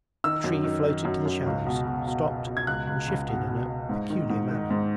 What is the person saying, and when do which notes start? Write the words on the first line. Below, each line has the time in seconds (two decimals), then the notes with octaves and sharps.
The tree floated to the shallows, stopped, and shifted in a peculiar manner.
0.24 D#3 E6
0.44 F#2
0.64 D#3
0.85 D#3
1.05 F#2
1.25 F#2
1.46 C#2
1.66 B2
1.86 B2
2.06 B2
2.27 B2
2.47 B2
2.57 G#6
2.67 C#2 F#6
2.87 C#2
3.08 C#2
3.28 B2
3.48 B2
3.68 B2
3.89 G#2
4.10 D#3
4.30 G#2
4.50 D#3
4.70 G#2